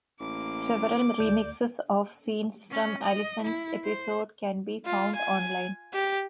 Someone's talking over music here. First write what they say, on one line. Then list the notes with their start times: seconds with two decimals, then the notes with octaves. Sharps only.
Several remixes of scenes from Allison's episode can be found online.
0.20 A1 A#3 D6
1.20 D2 D5 G6
2.71 C#4
3.04 D#5
3.43 E4
3.85 C5
4.86 F4
5.16 G#5
5.94 G4